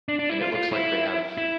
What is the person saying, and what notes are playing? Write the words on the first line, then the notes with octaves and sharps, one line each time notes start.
and it looks like they have
D4
D4
E4
F4
F4
E4
E4